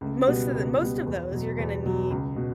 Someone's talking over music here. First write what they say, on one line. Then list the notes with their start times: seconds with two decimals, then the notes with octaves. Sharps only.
most of the most of those, you're gonna need
0.01 C#2
0.27 B2 G3 B3
0.53 C#2
0.79 B2 G3 B3
1.06 E2
1.32 B2 F#3
1.59 E2
1.84 B2 F#3
2.10 C#2
2.36 B2